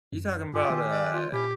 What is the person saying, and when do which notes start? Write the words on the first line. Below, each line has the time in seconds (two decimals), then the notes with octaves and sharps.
You talking about, uh
0.12 F#2
0.53 G2 F4 G4 G#4
0.70 D#3
0.90 D5
1.13 F4
1.32 A#2 C#4 E4 G4